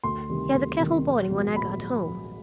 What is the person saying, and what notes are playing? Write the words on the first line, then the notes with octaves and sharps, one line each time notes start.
He had the kettle boiling when I got home.
D2 C6
C3 D#3 G3
D2
C3 D#3 G3
A#1
G#2 D#3 F#3 B3
A#1 B5